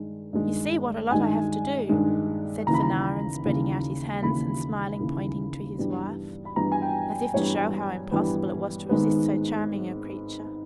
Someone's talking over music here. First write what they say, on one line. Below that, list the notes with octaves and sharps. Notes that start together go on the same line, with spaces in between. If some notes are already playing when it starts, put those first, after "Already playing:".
"You see what a lot I have to do," said Fanarin, spreading out his hands and smilingly pointing to his wife, as if to show how impossible it was to resist so charming a creature.
Already playing: G2 D#3 G#3
G2 D#3 G#3
G2 D#3 G#3 G#5
G2 D#3 G#3
D#2 C#3 E3 A#5
B5
A#5
D#2 C#3 E3
D#2 C#3 E3 B5
D#2 C#3 E3
G2 E3 G3 B3
B5
G2 E3 G3 B3 A#5
G#5
G5
G2 E3 G3 B3 C#5
G2 E3 G3 B3
G#1 G#2 D#3 G#3 B3